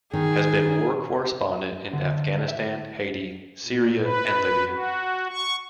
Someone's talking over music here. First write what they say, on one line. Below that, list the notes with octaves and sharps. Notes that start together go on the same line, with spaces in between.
Has been war correspondent in Afghanistan, Haiti, Siria and Libya.
D#3 G#4
D3
E5
A#2
B4
F#4
C#6